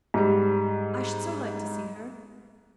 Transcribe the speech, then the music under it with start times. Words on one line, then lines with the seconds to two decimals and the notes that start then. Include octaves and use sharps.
I should so like to see her.
0.14 G#2 G3